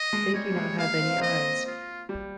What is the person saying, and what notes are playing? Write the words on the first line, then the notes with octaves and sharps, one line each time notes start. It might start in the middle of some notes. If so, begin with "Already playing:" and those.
They do not have any eyes.
Already playing: D#5
G#3
G3 C#5
G3
G#3
A#3 F5
C4
A#3
C4 D#5
F4
G3